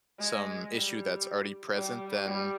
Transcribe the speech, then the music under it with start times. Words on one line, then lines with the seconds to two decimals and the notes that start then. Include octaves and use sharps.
some issue that's already present, then
0.18 G#3
0.70 G3
1.75 G3
2.26 G3